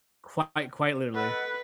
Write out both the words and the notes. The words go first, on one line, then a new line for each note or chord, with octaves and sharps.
Quite quite literally.
A4 B4 D#5 F#5